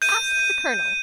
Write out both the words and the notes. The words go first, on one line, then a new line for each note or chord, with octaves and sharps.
"Ask the Colonel."
G6 D#7